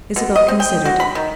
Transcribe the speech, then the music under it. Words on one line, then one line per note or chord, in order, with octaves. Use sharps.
Isabel considered.
B2
D#5
C4
G5
F#4
B5
D#3